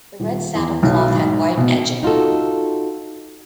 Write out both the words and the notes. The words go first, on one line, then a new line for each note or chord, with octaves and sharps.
The red saddle cloth had white edging.
D#1
E2
B1
G#2
B2
D#4 F4 F#4 A4